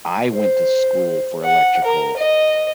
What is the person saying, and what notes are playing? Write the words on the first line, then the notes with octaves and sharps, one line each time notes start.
I went to school for electrical
C5
F#5
A#4
D#5